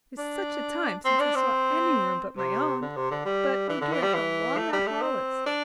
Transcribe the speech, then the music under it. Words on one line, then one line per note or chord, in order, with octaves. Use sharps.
It is such a time since I saw any room but my own! But oh dear, how long that hall is!
D4
C4
D4
C4
C3
D3
C3
D3
G3
E3
D3
E3
G3
E3
A3
G3
A3
C4
D4